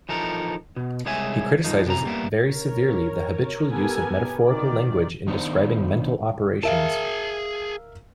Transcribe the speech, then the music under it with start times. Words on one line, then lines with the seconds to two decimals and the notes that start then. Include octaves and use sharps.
He criticizes very severely the habitual use of metaphorical language in describing mental operations.
0.09 E3 F3 D#4 A4 A#4
0.76 B2
1.06 C2 G#3 G#4 C#5 E5 G#5
1.64 G2 F3 D#4
1.86 C3 E3 D5 A#5
2.05 G3 A#3 B3 E4
2.43 A#4 C#5
3.71 B3 G4 A4 A#4 G#5
4.44 D#3 D5
5.27 D#3 B3 D4 D#4 C5
6.63 G#4 A#4 E5 F5 A5